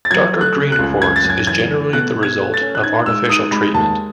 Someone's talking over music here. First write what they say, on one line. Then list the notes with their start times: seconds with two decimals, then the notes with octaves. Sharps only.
Darker green quartz is generally the result of artificial treatment.
0.05 A6
0.11 F#3 G#6
0.34 A3
0.41 F#6
0.57 C#3
0.72 F#6
0.79 C#2
1.02 F#2 G#6
1.16 A6
1.24 F#2
1.30 G#6
1.47 E3 G#6
1.71 A3
1.93 B2 F#6
2.15 B2
2.23 G#6
2.38 A3
2.54 A6
2.61 C#4
2.75 F#6
2.83 D#4 G#6
3.06 G#3 E6
3.29 D#4 D#6
3.52 G#3 B5
3.74 D#2 A5